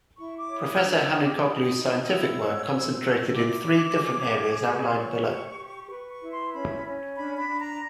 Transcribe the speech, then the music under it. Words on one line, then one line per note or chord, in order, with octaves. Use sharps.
Professor Hanukoglu's scientific work concentrated in three different areas outlined below.
E4 C#6
D6
C#5
D#6
F6
D4 E6
D4 D#6
D6
D#6
G4
D#4
E4 E6
C#5
C5
F#4
E4 D6
E4
G#4
G#4
G4 D6
C#6
C6
C#5 C#6
G4
G4
B4 C#6
C#6
E4
C6
C#4 B5
C#4
D4 B5
B5
D4
A#5